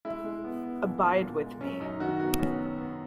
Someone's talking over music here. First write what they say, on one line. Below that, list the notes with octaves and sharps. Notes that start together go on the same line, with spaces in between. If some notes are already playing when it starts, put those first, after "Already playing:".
Abide with me.
G#3 E4
G#3
B3
B3
A#2
A#2
A#2
G#3
F#2 C#4
F#2 D#4
D#3 F#4
B3 F#4
B3 C#4
F#3
B3